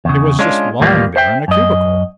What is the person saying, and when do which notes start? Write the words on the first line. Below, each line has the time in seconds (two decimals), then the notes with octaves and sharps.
It was just lying there in a cubicle.
0.05 E2 C#3
0.39 G#3 C#4 D4 F4
0.80 D#2 A2 E3 G3 A#3 F4
1.16 C5 E5 G5
1.48 F#2 D#5